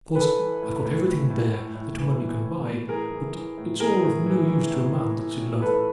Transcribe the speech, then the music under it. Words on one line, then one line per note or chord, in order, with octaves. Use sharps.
Of course I've got everything there that money can buy,--but it's all of no use to a man that's in love.
E3 A4 B4
E3
A2
A2
A2
A2
A2
A2
E3
E3
A2
A2
E3 G#4 A#4
E3
E3
A2
E3 G#4 A#4
A2
E3
E3
A2
A2
A2
A2
E3 A4 B4